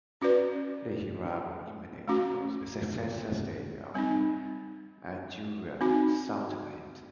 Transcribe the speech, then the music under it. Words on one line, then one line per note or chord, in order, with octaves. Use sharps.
The Hiraab Imamate was the successor state of the Ajuran Sultanate.
C#4 F#4 B4 D5
A3 C#4 F#4
G3 C4 D#4
C4 D#4 F#4